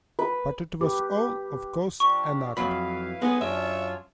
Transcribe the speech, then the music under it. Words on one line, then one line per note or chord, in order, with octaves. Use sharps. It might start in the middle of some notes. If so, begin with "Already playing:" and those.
But it was all, of course, an act.
B4
G4 B4 D6
F3 D4 G4 C#6
F2 F#3 E4 B4 F5 B5
G#3 B3 B4 G#5 D#6
F#2 D4 F4 C#5 E5